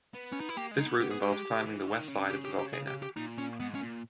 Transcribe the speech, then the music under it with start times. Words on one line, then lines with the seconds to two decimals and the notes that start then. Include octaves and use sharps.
This route involves climbing the west side of the volcano.
0.14 B3
0.32 C#4
0.40 D#4
0.49 E4
0.57 A#3 G4
0.71 G#3
0.79 D#4
0.85 B3
1.00 B3 G4
1.11 G#4
1.21 G#3 G4
1.33 G4
1.65 E3
1.87 D#3
2.08 C#3
2.30 G4
2.45 G4
2.59 G4
2.73 G#4
2.88 G4
3.03 G4
3.17 A#2 D#4
3.38 C#4
3.60 G#2 B3
3.75 C#4
3.82 A#2